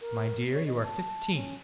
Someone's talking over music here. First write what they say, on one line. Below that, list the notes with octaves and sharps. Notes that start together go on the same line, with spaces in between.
"My dear, you are fifteen."
A#4
C#5
D#5
A5
C#4